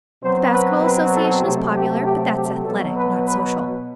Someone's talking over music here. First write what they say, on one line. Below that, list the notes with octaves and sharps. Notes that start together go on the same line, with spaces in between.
The Basket Ball Association is popular; but that's athletic, not social.
B2 F#3 C4 C5
B4
B4
A4
C3 F#3 A3 C4 G4
G4
G4
G4
B2 F#3 B3 A4
B4
B4